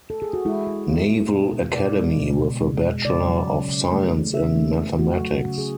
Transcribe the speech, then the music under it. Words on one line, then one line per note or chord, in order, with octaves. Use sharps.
Naval Academy with a Bachelor of Science in Mathematics.
A4
G#4
F#4
G#3 E4
G#3
B3
G#3
B2
B2
B2 D5
G#3
B2
B2
G#3
B2
C#3 D5
F#3
C#3
C#3
A3
A3
C#3 E5
A3
A3
A3 F#4
F#3
F#4
C#3
G#4